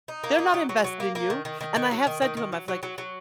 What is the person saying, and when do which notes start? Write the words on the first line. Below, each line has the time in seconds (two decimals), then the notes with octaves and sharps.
They're not invested in you, and I have said to him, I was, like,
0.08 D#4
0.24 A#3
0.39 D#4
0.54 F#3
0.69 F#3
0.84 F#3
1.00 A#3
1.15 A#3
1.30 D#3
1.45 D#3
1.61 D#3
1.76 D#3
1.91 F#3
2.07 D#3
2.22 D#3
2.37 D#3
2.52 F#3
2.68 F#3
2.83 F#3
2.98 F#3